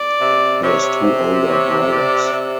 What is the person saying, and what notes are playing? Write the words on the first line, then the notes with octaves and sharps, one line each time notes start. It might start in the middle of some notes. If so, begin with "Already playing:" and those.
He has two older brothers.
Already playing: D5
C3
C3 C#5
C5
C#5
D5
C3